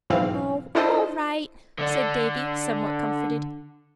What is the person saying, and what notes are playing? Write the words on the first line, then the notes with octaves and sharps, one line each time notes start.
"Oh, all right," said Davy, somewhat comforted.
B1 G#2 E3 C4 F5
D4 E4 F4 A4 C5 D#5
D3 D4